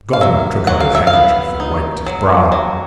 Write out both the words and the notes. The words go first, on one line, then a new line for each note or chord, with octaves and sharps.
The governor took out his handkerchief and wiped his brow.
F5
F#3 E5
F#3 F#5
F5
E5
F5
B3
D#4
F#3
F#3